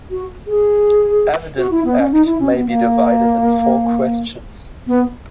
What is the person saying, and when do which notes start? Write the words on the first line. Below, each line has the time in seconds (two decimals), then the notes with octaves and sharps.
Evidence Act may be divided in four questions.
0.10 F#4
0.47 G#4
1.57 F#4
1.71 E4
1.85 B3
1.98 C#4
2.12 D#4
2.26 E4
2.39 C#4
2.53 B3
2.67 A#3
4.87 B3